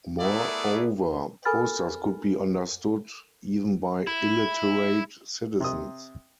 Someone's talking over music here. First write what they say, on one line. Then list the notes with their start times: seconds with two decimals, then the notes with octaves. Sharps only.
Moreover, posters could be understood even by illiterate citizens.
0.20 A3 B3 E4 G#4 A#4 D5
1.45 A4 A#4 G#5 B5 F6 A6
4.07 E4
5.60 C3 D#6